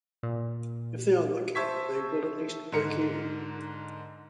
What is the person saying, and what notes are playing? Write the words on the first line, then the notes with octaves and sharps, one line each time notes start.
If they are lucky, they will at least break even.
A#2
C5 E5 A5 C#6 G#6 B6
G#2 D3 A#4 C#7